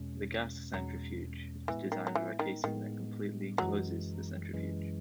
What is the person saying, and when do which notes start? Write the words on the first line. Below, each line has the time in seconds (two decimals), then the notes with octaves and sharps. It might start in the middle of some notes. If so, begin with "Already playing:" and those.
The gas centrifuge is designed with a casing that completely encloses the centrifuge.
Already playing: E2 B2 G#3 C#4
0.74 E2 B2 F#3 G#3 C#4
1.68 A2 E3 G#3 B3
1.92 D#3
2.07 F#3
2.15 E3
2.39 D#3
2.64 A2 D#3 G#3 B3
3.58 F#2 E3 F#3 G#3
4.53 F#2 E3 G#3